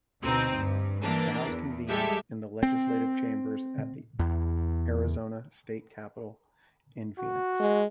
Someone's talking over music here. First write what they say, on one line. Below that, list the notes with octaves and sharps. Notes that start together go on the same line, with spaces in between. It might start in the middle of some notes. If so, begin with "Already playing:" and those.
The House convenes in the legislative chambers at the Arizona State Capitol in Phoenix.
D2 B2 C4 D#4
G2
E3 A#3 D4
E2
G3 G#3 G4 A4 E5
C4
E2
F#4
G#3